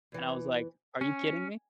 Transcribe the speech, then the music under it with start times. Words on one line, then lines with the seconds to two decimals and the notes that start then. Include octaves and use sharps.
And I was like, "Are you kidding me?"
0.12 E2 E3
1.01 C#4 G#5